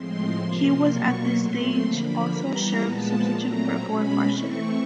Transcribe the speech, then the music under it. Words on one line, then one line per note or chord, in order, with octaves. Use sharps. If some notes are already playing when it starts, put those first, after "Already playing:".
He was at this stage also Sheriff Substitute for Forfarshire.
Already playing: A2 F3 G#3 C4 C6
C3 F3 A#3 C6
B2 F#3 A#3 C#6
A#2 F#3 A3 C4 C6
D3 F3 A#3 B5
E3 G3 B3 A#5
A#2 F3 G#3 B3 A5
A#2 F#3 A3 C4 A#5
B2 G#3 C#4 B5
E3 A3 C4 C#6